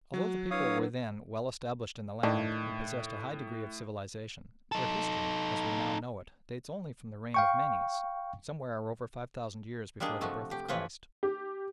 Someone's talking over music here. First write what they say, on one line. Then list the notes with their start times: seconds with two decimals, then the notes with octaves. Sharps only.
Although the people were then well established in the land and possessed a high degree of civilisation, their history, as we now know it, dates only from the reign of Menes, somewhere over five thousand years before the birth of Christ.
0.14 F#3 F#4
0.51 D4 E4 B4 C#5 F5 D#6
2.23 A2 D#3 D4
4.72 D#4 A4
7.34 F5 G5 C#6
10.00 G3 G#3 A#3 D4 G#4
10.21 C3 F3 A3 F#4
10.51 G4
10.68 E3 F3 F4 B4 C#5
11.23 G4